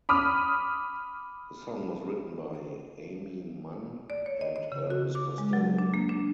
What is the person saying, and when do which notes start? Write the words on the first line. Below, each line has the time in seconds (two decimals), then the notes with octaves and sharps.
The song was written by Aimee Mann and Elvis Costello.
0.09 B5 D6 D#6 F6
4.10 D5
4.26 C#5
4.41 D#5
4.56 D#5
4.72 C#3
4.90 F#4
5.15 D6
5.38 G#3
5.53 F#3
5.79 D4
5.94 A#3
6.09 D4